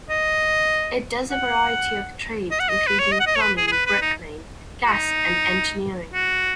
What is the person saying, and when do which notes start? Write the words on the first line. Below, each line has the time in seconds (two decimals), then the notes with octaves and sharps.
It does a variety of trades, including plumbing, brick laying, gas and engineering.
0.10 D#5
1.31 F#5
2.51 D#5
2.60 F#5
2.69 D#5
2.87 B4
2.99 C#5
3.12 D#5
3.20 F#5
3.26 D#5
3.35 C#5
3.41 B4
3.57 G#4
3.67 G#4
3.72 B4
3.87 B4
4.02 D#4
4.86 F#4
4.93 D#4
6.14 F#4